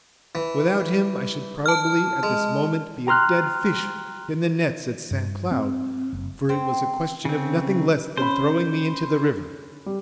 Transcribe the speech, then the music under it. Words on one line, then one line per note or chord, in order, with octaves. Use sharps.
Without him I should probably at this moment be a dead fish in the nets at Saint Cloud, for it was a question of nothing less than throwing me into the river.
E3
A5 F6
G#3
G5 A#5 C6 F6 F#6
G2
C4
F#1
C4
C#3 C4
C#4 C5 B5
G3